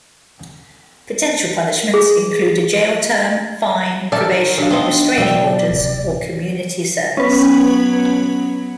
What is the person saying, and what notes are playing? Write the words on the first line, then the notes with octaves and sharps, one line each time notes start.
Potential punishments include a jail term, fine, probation, restraining orders, or community service.
G#4
D#3 A4 D5 E5 A5
F#3 D4 A4 F5
F3 B3 C4 D#4 D#5
B2 F#3 D5 E5 G5
D1 C3
F#3 B3 C#4 B4